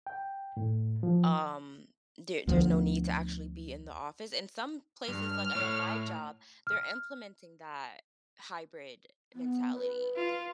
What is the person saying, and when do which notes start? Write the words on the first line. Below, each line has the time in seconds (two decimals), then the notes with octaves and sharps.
Um, there there's no need to actually be in the office, and some places like I know my job, they're implementing that hybrid mentality.
0.07 G5
0.57 A2
1.03 F3
2.47 D2 F3 A3 B3
5.08 G2 F6
5.55 A2 C#5
6.67 F6
9.34 B3
9.73 B4
10.16 F4